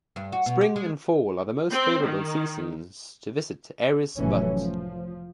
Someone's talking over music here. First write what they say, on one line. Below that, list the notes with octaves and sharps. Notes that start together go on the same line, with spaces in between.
Spring and fall are the most favorable seasons to visit Aires Butte.
G2
F#4
B2
G4
G#3
C4
D#3
F1 A2 E3 F#3 A3 C#4
F3